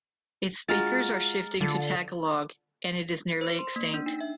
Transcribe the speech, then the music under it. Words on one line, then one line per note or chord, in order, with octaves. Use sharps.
Its speakers are shifting to Tagalog, and it is nearly extinct.
G#3 F4 F#4 A#5 F6 A6
D3 F4 A4
C5
C6
A#3
D4
D#4
E5